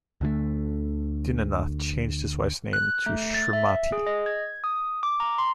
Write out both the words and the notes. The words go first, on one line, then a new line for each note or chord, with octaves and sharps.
Dinanath changed his wife's name to 'Shrimati'.
D2 D3 E3 A3
F#6
A3
A6
E5
G#4
D#5
G#6
D#6
D6
A#5
C6